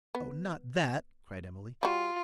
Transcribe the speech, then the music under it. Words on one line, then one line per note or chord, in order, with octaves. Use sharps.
'Oh, not that!' cried Emily.
B3
G3 F4 F#4